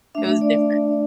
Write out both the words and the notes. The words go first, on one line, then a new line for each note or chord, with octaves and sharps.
it was different.
A3 D4 E5
D5